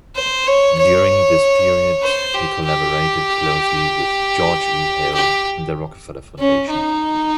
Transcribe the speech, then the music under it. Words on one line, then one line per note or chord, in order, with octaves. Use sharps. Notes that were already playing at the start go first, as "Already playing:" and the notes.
During this period he collaborated closely with George E. Hale and the Rockefeller Foundation.
C5
C#5
C#5
C5
G4
G4
G4
C#4
D#4